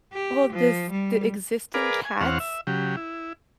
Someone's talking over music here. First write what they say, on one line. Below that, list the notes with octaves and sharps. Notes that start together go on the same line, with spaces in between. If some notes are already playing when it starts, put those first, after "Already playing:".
Well, does the existing cats,
G4
F3
G3
G#4 A#4 B4 D5 F5
G#5
E2 C4 C#5 F5 F#5
E5
C#3 F#3 G4
E4